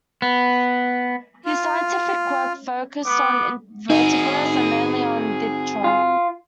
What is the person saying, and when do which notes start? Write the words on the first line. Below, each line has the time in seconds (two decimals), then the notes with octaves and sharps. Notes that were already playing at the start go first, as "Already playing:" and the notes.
His scientific work focused on invertebrates, and mainly on "Diptera".
0.22 B3
1.45 F4
3.05 B3 D6
3.90 C4 D#4 F#4 G#4
5.84 F4